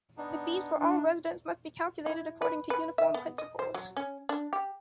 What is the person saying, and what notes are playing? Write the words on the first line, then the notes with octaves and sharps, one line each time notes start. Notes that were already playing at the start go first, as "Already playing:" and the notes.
The fees for all residents must be calculated according to uniform principles.
B3 D4 D#4
D4
A3
E4
B4
B4
E5
B3
D#5
C5
F#3
C#4
D4
G4